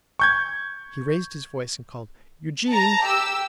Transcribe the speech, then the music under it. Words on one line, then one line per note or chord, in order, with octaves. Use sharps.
He raised his voice and called 'Eugene!
C#6 G6 G#6
A5 A#5
G4 E6